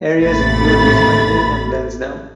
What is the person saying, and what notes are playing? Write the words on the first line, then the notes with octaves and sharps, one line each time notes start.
Areas include Richmond Hill and Lansdowne.
A1 D#2 C3 A3 B5 A6